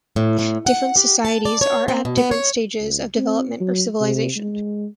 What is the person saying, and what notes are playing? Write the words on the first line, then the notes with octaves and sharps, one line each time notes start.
Different societies are at different stages of development or civilisation.
A2
A2
F#5
G4
A5
D5
C#5
C4
B2
B3
C#5
C#2
C4
F#3
C3
G#3